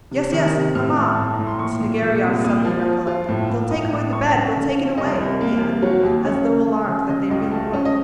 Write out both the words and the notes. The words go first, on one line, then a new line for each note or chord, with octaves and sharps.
"Yes, yes, mamma!" Snegiryov suddenly recollected, "they'll take away the bed, they'll take it away," he added as though alarmed that they really would.
C3
D#3
C3
A2 F6
A3
A2
A2 A#5
C6
A#2 C#6
A#2
A#2
C2
A#3 D#6
F3
F3
F4
A2
A2
A2 D#6
A2 D#6
F2 C#6
C#3
C#3
F2
C2 D#5
C2
A#3
C2
F#3 C#5
D#2
C#3 C#5
C#3
A3
C#3
C#3 D#5
C#2 D#5
A3
C#4
D#5